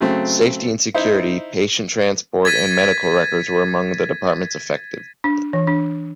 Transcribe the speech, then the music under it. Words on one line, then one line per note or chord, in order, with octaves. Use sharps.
Safety and Security, Patient Transport and Medical Records were among the departments affected.
C#3 F#3 A3 C4
D#4 E4 C5
G#6 A6 B6 D#7
D4
E3
D4